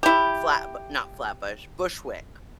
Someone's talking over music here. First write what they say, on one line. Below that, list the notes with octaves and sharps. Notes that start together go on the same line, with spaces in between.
Flatbu not Flatbush, Bushwick,
E4 G4